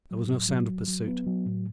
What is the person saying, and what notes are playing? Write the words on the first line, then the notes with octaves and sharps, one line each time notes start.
There was no sound of pursuit.
F#3
A2
F#3
F#3
F#3
B3
F#3
A2